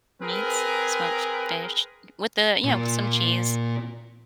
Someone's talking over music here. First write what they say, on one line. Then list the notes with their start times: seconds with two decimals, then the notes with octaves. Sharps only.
Meats, smoked fish with the you know, some cheese
0.21 C4 G#4 A#4 B4
2.64 A#2 F4